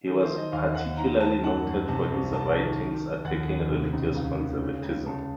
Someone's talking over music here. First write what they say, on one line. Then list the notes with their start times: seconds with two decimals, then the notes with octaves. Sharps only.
He was particularly noted for his writings attacking religious conservatism.
0.07 D#3 A4
0.22 C5
0.30 D#3
0.37 D#5
0.52 D#2 F5
0.75 D#2 F#5
0.97 D#3 A#5
1.20 D#3 A5
1.44 F#2 F#5
1.67 F#2
1.89 C3 A5
2.12 C2
2.33 C2 A5
2.56 D#3
2.80 D#3
3.02 D#3
3.25 D#2 F#5
3.48 D#2
3.70 C3
3.93 C#2
4.15 C#2 F5
4.38 D#3
4.61 C#3
4.84 C#2
5.06 C#2 A5